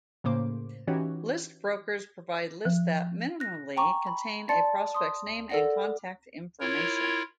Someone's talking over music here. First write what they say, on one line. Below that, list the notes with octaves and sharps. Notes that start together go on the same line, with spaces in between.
List brokers provide lists that, minimally, contain a prospect's name and contact information.
A2 C#3 A#3 C5 D6
E3 C#4 D#4 F#4 G4 C#5
F3
F#6 A#6
G5 G#5 A#5 C#6 D6
B5
D5 A5 C6 A6 C#7
C6 D#6
A4 A#4 D5 F#5 A#6
E4 F4 A#4 C#5